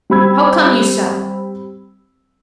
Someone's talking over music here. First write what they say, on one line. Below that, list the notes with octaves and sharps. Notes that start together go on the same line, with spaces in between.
How come you so?
G3 C4 B5 E6 G#6